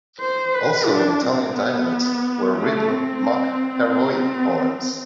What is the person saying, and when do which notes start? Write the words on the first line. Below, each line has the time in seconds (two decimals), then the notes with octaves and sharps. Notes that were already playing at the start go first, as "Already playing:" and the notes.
Also in Italian dialects were written mock-heroic poems.
0.20 C5
0.55 B4
0.88 D4
1.21 C4
1.54 B3
2.55 A3
2.89 C4
3.90 C4